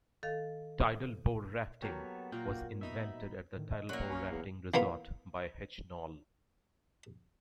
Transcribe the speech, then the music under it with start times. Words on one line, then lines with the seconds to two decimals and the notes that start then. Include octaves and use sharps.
Tidal Bore Rafting was invented at the Tidal Bore Rafting Resort by H. Knoll.
0.23 D#3 A4 F5
1.82 F#3 A#3 B3 G4 A4 C#5
2.32 A#2 A#3 F4 F#4 G5
2.81 B2 D#4 E5 B5
3.55 A2 D3 D#3
3.72 D#5
3.89 F#2 F#3 A#3 D5
4.10 B1 C#4
4.30 E2
4.74 E3 A#3 B3 F4